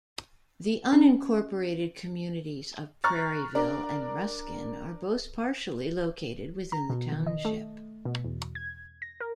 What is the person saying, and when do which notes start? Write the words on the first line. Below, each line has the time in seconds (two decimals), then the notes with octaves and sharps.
The unincorporated communities of Prairieville and Ruskin are both partially located within the township.
0.93 C#4
3.04 A#5 C#6 F6 F#6 A6
3.55 D4 A#4 D5
6.72 A#5
6.90 B2
7.12 D#3
7.27 D#5
7.45 A3
8.05 B2
8.24 E2
8.55 G#6
9.02 A#6
9.20 A#4